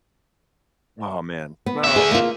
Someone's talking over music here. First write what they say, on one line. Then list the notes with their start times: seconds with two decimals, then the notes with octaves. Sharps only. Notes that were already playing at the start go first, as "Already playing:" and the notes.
Aw, man. No.
1.66 B3
1.84 D3 E5
1.96 G#4
2.11 A#3 F4